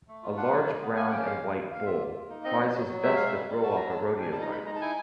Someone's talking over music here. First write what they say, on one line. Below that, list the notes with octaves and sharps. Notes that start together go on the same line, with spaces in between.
A large brown and white bull tries his best to throw off a rodeo rider.
A3
F4
D4 F#5
F#3
G#3
B3
A#3 G#5
F#5
C#4 G5
G#3 F5
G#3
A#3
A#3 F5
F4 E5
F4
A#3
D#4
C4 D#5
F#3
F#3
F#3
G#3 E5
G#3 F5
E5
G3
G3
F#4 A5
F#3 A#5
G#3 A5
D4
G5
G3 G#5
A5
D#4 A#5
G#3 B5
D#4 A#5
A5
E4 G#5